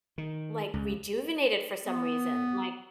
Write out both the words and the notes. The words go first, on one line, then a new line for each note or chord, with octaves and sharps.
Like rejuvenated for some reason. Like,
D#3
C#2
B3